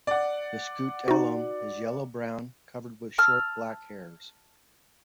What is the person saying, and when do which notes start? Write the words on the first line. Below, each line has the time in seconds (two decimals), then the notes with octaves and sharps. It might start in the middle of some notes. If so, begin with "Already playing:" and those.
The scutellum is yellow brown covered with short black hairs.
0.07 D5 F#5
1.08 D#4 F#4
3.18 A5 E6 F6